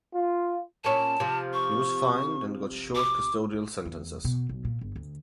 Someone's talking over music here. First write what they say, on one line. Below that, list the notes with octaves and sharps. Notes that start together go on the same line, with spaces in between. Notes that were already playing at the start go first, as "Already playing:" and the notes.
He was fined and got short custodial sentences.
F4
A#2 C#4 A5
C3 F3
C#6
D6
E2
B2
B1
A#2
G1
D2